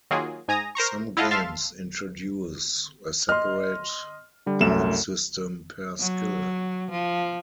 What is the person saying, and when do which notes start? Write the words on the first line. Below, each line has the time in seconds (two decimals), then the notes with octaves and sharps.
Some games introduce a separate point system per skill.
0.11 D#3 F#3 A#3 F4 G#4
0.48 G#2 G#5 A#5 D#6 A#6
0.75 A#4 C5 A#5 C#6
1.17 E4 F4 D#5 F5 F#5 A5
1.31 E5 F5 A5 C6 F6
3.29 D#5 C6 F6
4.46 D3 G3
4.60 C2 F#2 A3 E7
6.00 F#3
6.91 F3